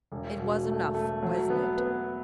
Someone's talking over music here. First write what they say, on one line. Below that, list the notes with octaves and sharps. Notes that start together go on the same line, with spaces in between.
It was enough, wasn't it?
E1
B2
A3
A3
F#3
B3
B3